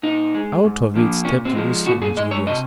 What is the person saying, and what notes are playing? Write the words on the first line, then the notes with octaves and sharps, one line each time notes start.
Out of it stepped Lucy and Julius.
A#2 D#4
G#3
G#2
F3 A#3
A#2 C#4
C4
F3 G#3
A#2 F#4
G#4
G#3 D#5
C#5
C3 D#5